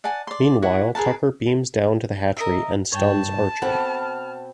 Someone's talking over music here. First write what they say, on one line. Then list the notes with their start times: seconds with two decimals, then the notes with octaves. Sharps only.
Meanwhile, Tucker beams down to the hatchery and stuns Archer.
0.04 D5 F#5 G#5 A5
0.27 D5 C6
0.62 E4 F#4 F#5
0.95 G#4 A#4 B4 A5
2.37 A#4 D#5 E5
2.92 G2 C#5 G5 A5
3.62 B2 C4 A4 F#5 B5 F6